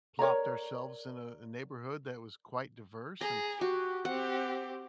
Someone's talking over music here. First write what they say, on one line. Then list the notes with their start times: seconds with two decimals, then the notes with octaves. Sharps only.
plopped ourselves in a a neighborhood that was quite diverse, and
0.19 A#4 C#5 D5 A#5
3.21 G#4 A#5
3.61 F#4 G4
4.05 C4 G4 F#5